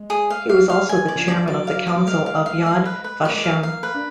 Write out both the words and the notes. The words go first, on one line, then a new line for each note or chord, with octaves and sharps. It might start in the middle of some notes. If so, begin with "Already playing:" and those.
He was also the chairman of the council of Yad Vashem.
Already playing: G#3
G#4
F5
F5
F5
G#5
D5
F3
F3 D5
F#3 D5
F5
D5
F#3
G#3 F5
F5
F5
F5
B4
B4
A#3 D5
G#3
A#3 F5
F5
B4
D4